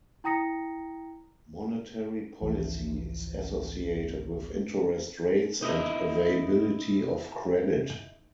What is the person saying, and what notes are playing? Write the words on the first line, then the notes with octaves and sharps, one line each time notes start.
Monetary policy is associated with interest rates and availability of credit.
E4 G5 A#5 D#6 A#6 C#7
G#1 C#2 E3 F3
D#4 E4 D#5